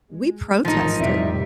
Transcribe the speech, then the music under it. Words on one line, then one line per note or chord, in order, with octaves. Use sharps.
we protested,
G#3
A1 G#2 D#3 F3 D#4
F1 A2 C3 G3 E4 E5 D7